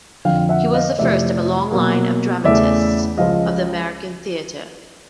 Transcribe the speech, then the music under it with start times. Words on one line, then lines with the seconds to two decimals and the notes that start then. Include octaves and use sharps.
He was the first of a long line of dramatists of the American theater.
0.25 F2 D3 F3 F5 G5
0.49 E5 F#5
0.73 D#5 F5
0.99 F2 C3 E3 A3 D5 E5
1.72 B2 F#3 A#3
2.44 E2 C#3 E3 A3 D5 E5
3.17 C#2 C#3 F3 G#3 D#5 F5